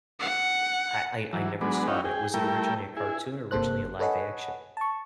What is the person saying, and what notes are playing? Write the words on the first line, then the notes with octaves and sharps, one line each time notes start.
I I I never saw that, was it originally a cartoon or originally a live action?
F#5
E3 F#3
F#3 G#3 B3 D4
C#4 D#4 E4 F#4 F5 G5
G#4 G5
G3 A3 E4 A#4 G5
E4 G#4
G1 C3 A#3 A4 C5 F#6
A4 B4 C#5 D#5 F#5 G#5
A5 C#6